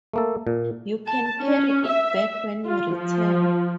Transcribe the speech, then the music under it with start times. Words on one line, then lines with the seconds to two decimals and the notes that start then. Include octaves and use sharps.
You can carry it back when you return.
0.13 A3 A#3 A4
0.47 A#2
1.06 A5
1.40 C#4
1.87 E5
2.66 F4
2.95 F3